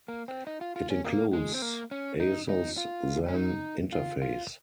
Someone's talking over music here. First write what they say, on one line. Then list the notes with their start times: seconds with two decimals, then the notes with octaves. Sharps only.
It includes Asus Zen interface.
0.08 A#3
0.28 C4
0.47 D#4
0.61 F4
0.76 F4
0.90 C#4
1.05 A#3
1.33 G#3
1.54 C4
1.62 A#3
1.91 C#4
2.20 D#4
2.49 D#4
2.78 F4
3.28 C#4
3.35 D#4
3.93 F4
4.22 F4